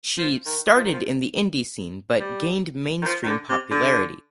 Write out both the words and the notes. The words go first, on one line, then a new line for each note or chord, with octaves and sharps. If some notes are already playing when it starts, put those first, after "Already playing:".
She started in the indie scene but gained mainstream popularity.
F3
D#3
F3
D#3
F3
G3
D#3
F3
D#3
D3
C3
D3